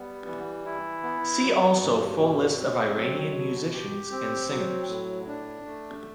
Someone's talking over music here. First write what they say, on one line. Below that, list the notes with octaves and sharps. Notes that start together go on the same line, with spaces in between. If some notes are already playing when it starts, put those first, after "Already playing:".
"See also full list of Iranian musicians and singers".
Already playing: G3 B3
E3
E4
B3
F#3
G2
B2
C4
F#3
B2
G4
C4
F#3
A2
D4
A3